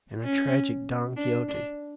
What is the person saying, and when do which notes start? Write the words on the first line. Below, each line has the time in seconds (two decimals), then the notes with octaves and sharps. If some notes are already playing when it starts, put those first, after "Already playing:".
And a tragic Don Quixote.
0.24 C#4
1.17 D4
1.48 D4